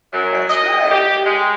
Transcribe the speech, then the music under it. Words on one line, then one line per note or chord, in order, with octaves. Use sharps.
That's right.
F#2
D#5
G4
G#3